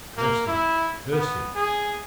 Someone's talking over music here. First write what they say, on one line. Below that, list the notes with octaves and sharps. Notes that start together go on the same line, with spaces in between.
Curse him! Curse him!
A#3
E4
B3
G#4